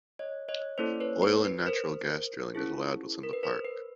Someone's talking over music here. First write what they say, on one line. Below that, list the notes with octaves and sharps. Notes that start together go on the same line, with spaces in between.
Oil and natural gas drilling is allowed within the park.
C#5 D#5
C#5 D#5
A#3 C#4 E4 A4 C5 D5
B4 C#5
B4
B4
A#4 C5
C#4 E4 G#4
A#4
B4
A#4 C5
B4